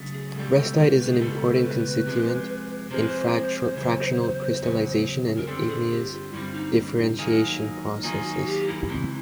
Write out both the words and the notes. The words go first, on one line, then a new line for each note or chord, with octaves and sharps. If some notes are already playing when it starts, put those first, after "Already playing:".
Restite is an important constituent in fractional crystallisation and igneous differentiation processes.
Already playing: C#3 F#3 A3
G#4
C#2 B2 G3 A4
A4
A#4
B4
G#4
C#2 B2 G3 A4
C5
B4
C3 F3 G#3
C3 F3 G#3 C5
B4
C5
E2 C#3 F#3
E2 C#3 F#3
A#4
G2 D3 G3 C4 A4
G#4
G4
F4
G2 D3 G3 C4 E4
D#4
E4
D#4
D#3 F#3 A#3 D#4 G#4
D#3 F#3 A#3 D#4 F4 G#4
F#4
G4
E4
C#2 C3 E3